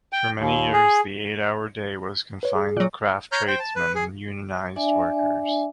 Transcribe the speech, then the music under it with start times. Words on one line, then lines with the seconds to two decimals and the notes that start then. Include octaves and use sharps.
For many years the eight-hour day was confined to craft tradesmen and unionised workers.
0.13 G5
0.40 D#2
0.73 G#4
2.43 B4 C#5
2.55 G#4
2.77 A#2 F#3
3.32 C#5 A#5 F6 G6
3.47 C5 G5
3.59 A5
3.76 B4
3.95 G#4
4.76 D4 D5 E5 G#5